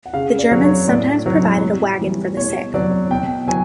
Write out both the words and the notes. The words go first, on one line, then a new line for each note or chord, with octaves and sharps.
The Germans sometimes provided a wagon for the sick.
F#5
C#3 F5
D5
F#3
C#5
A2 D5
F#3
A2
E3 G3
B2 C#5
F#3 D5
B2 G5
F#3 G#5